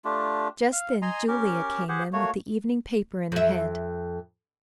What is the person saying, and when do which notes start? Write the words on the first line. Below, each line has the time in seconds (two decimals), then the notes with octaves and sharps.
Just then Julia came in with the evening paper in her hand.
0.05 A3 D4 F4 G4
0.72 F5
1.02 D#5 G#5 A#5 C6
1.28 C#4 G4 A#4
1.89 G4 G#4 C5 F#5
2.13 A3 A#3 F#4 C#5
3.32 F2 E5